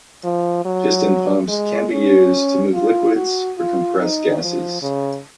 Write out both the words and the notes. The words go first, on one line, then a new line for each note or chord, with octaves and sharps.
Piston pumps can be used to move liquids or compress gases.
F3
F#3
G#3
C#4
F4
F#4
F4
D#4
F3
C#3